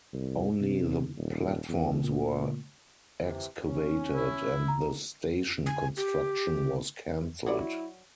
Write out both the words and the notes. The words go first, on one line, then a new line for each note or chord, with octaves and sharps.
Only the platforms were excavated, and the station construction was cancelled.
C2
C3
D#1
E2
A#2
C3 E3
C#4
E4
A#5
G#5
G4
F#3 E4 F#4 D5